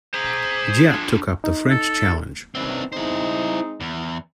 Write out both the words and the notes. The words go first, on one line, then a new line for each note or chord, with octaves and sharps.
Giap took up the French challenge.
G#4 C5 A#5
D4 F4
D#4
A4
F#2 D#3 E3 C4 D4
G#3 C4 D#4 E4 C5
E2